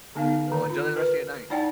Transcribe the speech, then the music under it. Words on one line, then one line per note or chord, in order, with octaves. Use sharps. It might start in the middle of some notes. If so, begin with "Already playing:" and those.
Well, enjoy the rest of your night.
D3 B3 D#4 A#4 F5
D#3 B4
F4
A#4 B4
D#4 E4 D5 F#5 G5 A5